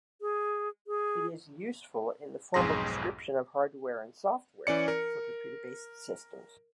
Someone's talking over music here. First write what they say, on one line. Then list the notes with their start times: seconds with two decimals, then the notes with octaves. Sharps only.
It is useful in the formal description of hardware and software for computer-based systems.
0.21 G#4
0.87 G#4
2.54 B1 F2 G#2 G#4 C6 A#6
4.67 E3 C#4 D5 C#7
4.88 A#4